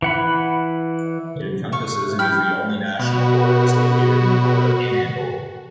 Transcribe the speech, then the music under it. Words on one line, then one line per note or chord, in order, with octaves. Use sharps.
It encompasses and is the only national forest located in the Florida Panhandle.
E3 F#5 B5
E5 F5 C#6
E4 G5 B5 F6
B2 F#4